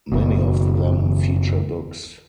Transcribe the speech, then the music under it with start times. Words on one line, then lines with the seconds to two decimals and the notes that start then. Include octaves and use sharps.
Many of them feature books.
0.12 F#1 B2